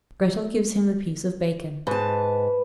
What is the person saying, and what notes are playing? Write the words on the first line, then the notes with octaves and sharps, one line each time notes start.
Grettel gives him a piece of bacon.
G#2 B4 A5